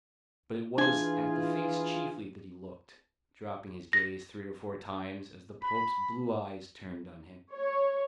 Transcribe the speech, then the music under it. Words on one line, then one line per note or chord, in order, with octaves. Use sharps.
But it was at the face chiefly that he looked, dropping his gaze three or four times, as the Pope's blue eyes turned on him.
E3 D4 F4 G#4 G#5 C6
A#6
B5
C#5